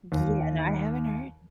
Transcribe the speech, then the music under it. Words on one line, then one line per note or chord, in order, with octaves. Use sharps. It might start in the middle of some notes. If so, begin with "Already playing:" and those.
Yeah. No, I haven't heard
D#2